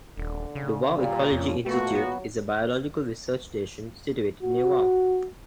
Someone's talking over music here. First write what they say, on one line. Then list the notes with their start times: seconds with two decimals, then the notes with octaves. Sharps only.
The Wau Ecology Institute is a biological research station situated near Wau.
0.17 D#1 D3
0.55 C#3
0.95 A#2 G3
1.32 F2 C#4
1.66 A#2 A3 B3 F#4
1.95 F#3 B3
4.43 F#4